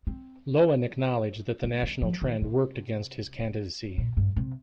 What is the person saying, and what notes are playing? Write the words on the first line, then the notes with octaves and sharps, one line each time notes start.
Loewen acknowledged that the national trend worked against his candidacy.
C4
A#3
A#3
F3
D#3
C3
A#2
G2
C3